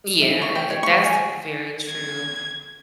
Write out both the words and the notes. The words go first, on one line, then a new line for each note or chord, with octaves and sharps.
Yeah. And and that's very true.
E5
C#6
G5
C#5
C#6
G#5
G#6